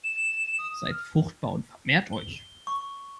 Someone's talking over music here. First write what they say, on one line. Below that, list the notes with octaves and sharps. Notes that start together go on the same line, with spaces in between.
Seid fruchtbar und vermehrt euch!
E7
D#6
F6
G7
C#6